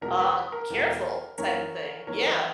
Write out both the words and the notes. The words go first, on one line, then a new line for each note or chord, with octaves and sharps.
um, careful type of thing, yeah,
E2 B2 G#3 A#4
B4
A#4
E2 B2 G#3
F#2 E3 A#3 D#4 A#4 C#5
F#2 E3 A#3 D#4 A#4 C#5